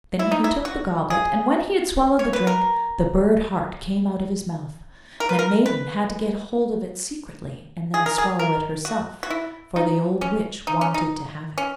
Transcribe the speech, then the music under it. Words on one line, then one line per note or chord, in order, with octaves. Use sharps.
Then he took the goblet, and when he had swallowed the drink the bird-heart came out of his mouth. The maiden had to get hold of it secretly and then swallow it herself, for the old witch wanted to have it.
E4
D#4
E4
F#4
G#4
C#5
B4
A#4
A#4
B4
A#4
B4
G#4
A#4
G#4
A#4
F#4
F#4
E4
D#4
C#4
D#4
C#4
D#4
C#4